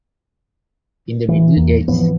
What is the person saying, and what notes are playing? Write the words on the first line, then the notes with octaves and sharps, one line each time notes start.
In the Middle Ages.
E3
E2 A#3
G#2 E3 F3 B3